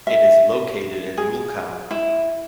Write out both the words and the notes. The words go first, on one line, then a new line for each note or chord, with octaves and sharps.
It is located in Mulkow.
E5
G#4
E4